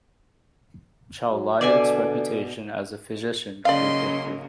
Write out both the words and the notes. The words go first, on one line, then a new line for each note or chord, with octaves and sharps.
Chauliac's reputation as a physician grew quickly.
F#3
B2 D3 D5 E5 G#5
C#3 F#3 A#3 D5 D#5 F5 C6